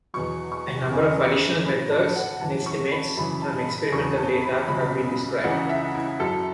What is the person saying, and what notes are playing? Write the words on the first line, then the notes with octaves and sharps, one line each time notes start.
A number of additional methods and estimates from experimental data have been described.
E2 B2 F#3 C#6
C#6
E2 C#3 E3
A2 F#3 B5
A5
F#5
F#2 E3 A5
C#6
B5
F#2 C#3 E3 B5
A5
B5
E2 C#3 F#3 C#6
A5
B5
C#2 C#3 F#3 B5
C#2 C#3 E3 F#5
E5
E4
F#2 F#3 A4